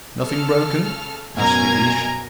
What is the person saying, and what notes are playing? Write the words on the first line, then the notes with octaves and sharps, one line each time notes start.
"Nothing broken?" asked De Guiche.
C#3 A4 F6
F#2 B2 A#4 G#5 A#5 G#6